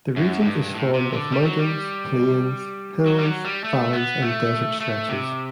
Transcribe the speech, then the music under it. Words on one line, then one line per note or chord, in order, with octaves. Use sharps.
The region is formed of mountains, plains, hills, valleys and desert stretches.
F#2
A2
G2
A2
C3
D3
G3
F#3
G3
F#3
G3
F#3
G3
A3
B3
A3
A3
C3